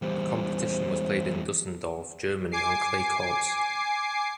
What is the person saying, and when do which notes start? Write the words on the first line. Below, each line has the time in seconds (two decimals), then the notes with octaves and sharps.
The competition was played in Düsseldorf, Germany, on clay courts.
0.02 E2 G3 C5
2.52 G#5 D6 C7